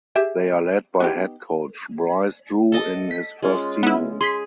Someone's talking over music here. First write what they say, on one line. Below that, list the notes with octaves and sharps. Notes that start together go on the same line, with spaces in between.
They are led by head coach Bryce Drew in his first season.
G4 G#4 E5
B3 D#4 G4
A4 D#5 A5
B6
G#3 C#4 F4
B3 E4
G#4 C6 B6